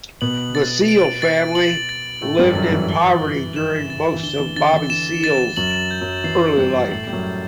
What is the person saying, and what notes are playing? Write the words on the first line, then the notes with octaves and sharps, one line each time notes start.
The Seale family lived in poverty during most of Bobby Seale's early life.
B2 B3 F#7
A6
D7
A6
F#7
A6
A2 A3 D7
G2 G3
F#2 F#3 A6
E3
G7
A6
E7
A6
E3
D3 G7
E3
D3 A6
E3
E7
A6
F#2 F#3 F#7
G6
F#2 F#3
E3 C7
G2 G3 G6
A2 A3 F#7
G3
F#2 F#3
G6